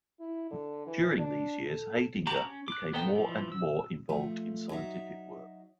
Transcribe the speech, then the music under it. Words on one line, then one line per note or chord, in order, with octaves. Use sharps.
During these years Haidinger became more and more involved in scientific work.
E4
D3
E3
D4
A4
F#4 G4 A5 A#5 D6
C#4
D6 F#6
B3 D#4 A4 C5 G5
E3 F3
E6
F3 A3
F#3 D#4 E5